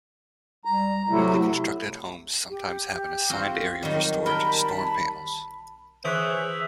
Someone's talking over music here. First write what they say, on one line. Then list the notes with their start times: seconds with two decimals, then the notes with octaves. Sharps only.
Newly constructed homes sometimes have an assigned area for storage of storm panels.
0.65 G3 A#5
1.09 C3 F#3 A3 E4
2.49 G4
3.30 C4 F4 F#4
3.83 D#3 F#3 G3
4.26 A#4 G5 A5 B5
6.05 E3 G#4 C5 C#5 E5 D#6 E6 F#6